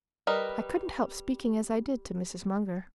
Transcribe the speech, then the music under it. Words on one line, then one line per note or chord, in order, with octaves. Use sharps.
"I couldn't help speaking as I did to Mrs. Munger."
G3 A#4 B4 D#5